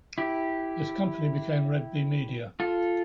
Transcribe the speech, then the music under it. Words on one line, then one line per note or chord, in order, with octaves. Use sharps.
This company became Red Bee Media.
E4 G4
F4 A4